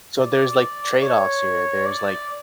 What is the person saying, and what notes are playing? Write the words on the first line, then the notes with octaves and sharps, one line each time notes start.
So, there's, like, trade-offs here. There's, like
D5
C#5
D5